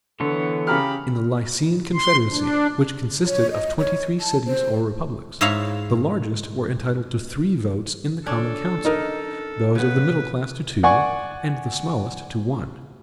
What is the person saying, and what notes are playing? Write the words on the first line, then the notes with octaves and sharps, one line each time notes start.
In the Lycian confederacy, which consisted of twenty-three CITIES or republics, the largest were entitled to THREE votes in the COMMON COUNCIL, those of the middle class to TWO, and the smallest to ONE.
D3 E3 B3 A4 C#5
C#3 G4 A#5 B5 F6
C6
D4
C#5
D#5
C#5
A5
C5
G#2 E4 C#5 E5 F5 A#5
C#4 D4 A4
D#4 A#4 D#5
C#3 B3 B4
D5 F#5 G#5 C#6